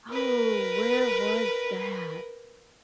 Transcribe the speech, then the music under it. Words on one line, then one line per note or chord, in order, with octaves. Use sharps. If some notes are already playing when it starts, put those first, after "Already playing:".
Oh, where was that?
A#4 B4